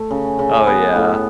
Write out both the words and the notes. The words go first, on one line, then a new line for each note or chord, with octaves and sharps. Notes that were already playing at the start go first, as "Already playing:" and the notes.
Oh, yeah.
Already playing: A3
C#3
C#3
B3
A2